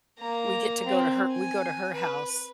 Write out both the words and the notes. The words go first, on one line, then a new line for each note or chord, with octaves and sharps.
we get to go to her we go to her house.
A#3 A#5
C4
G#5
B4